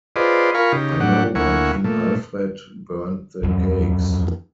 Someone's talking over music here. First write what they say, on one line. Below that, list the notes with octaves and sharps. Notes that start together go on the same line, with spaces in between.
I know why King Alfred burned the cakes.
F4 G#4 B4 C5 D5 D#5
F4 A#4 F5 G#5 B5 C#6
C#3 D#4 G4
A2 F#3 D4 G4 F#5
D2 A#3 E4 F#5 G#5 C#6
A#2 A3
F2 F#3